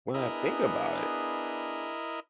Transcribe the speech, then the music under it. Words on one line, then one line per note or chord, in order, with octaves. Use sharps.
when I think about it.
B3 D4 E4 G#4 A#4 D#5